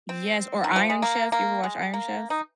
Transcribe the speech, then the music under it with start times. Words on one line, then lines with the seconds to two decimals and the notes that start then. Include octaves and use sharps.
Yes, or Iron Chef, you ever watched Iron Chef?
0.09 C4
0.64 D#3
0.76 F3
0.90 G#3
1.02 A#3
1.32 A#3
1.64 G#3
1.94 A#3
2.30 D#4